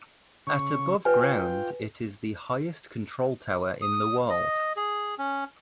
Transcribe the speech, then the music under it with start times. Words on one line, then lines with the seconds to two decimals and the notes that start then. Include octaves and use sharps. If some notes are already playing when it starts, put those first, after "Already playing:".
At above ground it is the highest control tower in the world.
0.47 C#3 C#6
1.05 F4 B4 G5 G#5
3.82 D#6
4.30 D#5
4.76 G#4
5.18 C#4